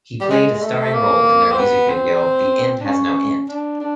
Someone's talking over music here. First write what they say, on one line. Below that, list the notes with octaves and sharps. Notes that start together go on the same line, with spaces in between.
He played a starring role in their music video "The End Has No End".
G3
G#3
G#3
A3
A#3
C4
B3
C4
D4
C#4
D4
D4